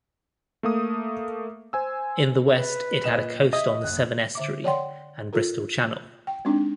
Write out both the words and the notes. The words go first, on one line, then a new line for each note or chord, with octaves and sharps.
In the west it had a coast on the Severn Estuary and Bristol Channel.
A3 A#3 D#6
C5 G#5 E6
B4
A#2 D#5 E7
D#5 E5 D#6
F#1 F#6
D3 E5 D6
C#5 D5 F#5 G5 C6
F4 A4 A#4
G5
G#3 C4 D4 D#4